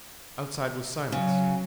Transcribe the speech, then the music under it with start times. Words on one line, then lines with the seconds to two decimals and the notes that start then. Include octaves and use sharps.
Outside was silence.
1.12 C#3 F#3